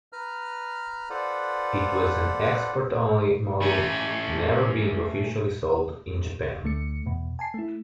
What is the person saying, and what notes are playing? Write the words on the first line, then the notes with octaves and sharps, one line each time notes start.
It was an export-only model, never being officially sold in Japan.
B4 A#5 F6
F4 A4 B4 C5 D5 F#5
A3 C#4
D2 D3 A3 C#7
E2 B2
G#5 A5 C7
A3 E4